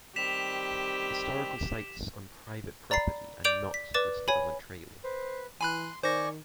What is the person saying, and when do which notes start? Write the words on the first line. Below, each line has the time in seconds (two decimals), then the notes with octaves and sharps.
Historical sites on private property are not listed on the trail.
0.16 D#3 G3 C4 G4 B6 E7 F7
2.91 D5 A#5 B5 A6 C7
3.44 D5 D6 G6 D7 F7 F#7
3.74 B6
3.94 B4 D5 D6 A6 E7
4.28 C#5 G#5 B5
5.04 B4 C5
5.61 E3 G#5 B5 C6 F#6
6.03 D#3 C5 D5 G#5 C#6 A#6